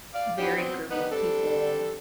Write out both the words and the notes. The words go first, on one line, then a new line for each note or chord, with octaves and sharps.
varied group of people,
D5 F5
E3 F#3 B3 D4 G4
F#3 B3 C4
D#3 G3 B3 D#4 B4
G3 C4 D4 A4